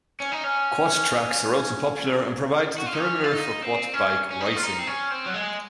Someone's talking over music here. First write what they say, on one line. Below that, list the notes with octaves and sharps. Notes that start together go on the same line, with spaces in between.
Quad tracks are also popular and provide the perimeter for Quad bike racing.
C#4
D#4
C#4
F#4
F4
D#4
C#4
F4
D#4
C4
C#4
C#4
D#4
F4
D#4
C4
C#4
C4
F#3
G#3